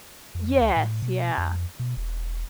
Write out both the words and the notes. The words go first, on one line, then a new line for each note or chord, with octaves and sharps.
Yes, yeah.
F2
C#2
A2
B2
F2
B2
E1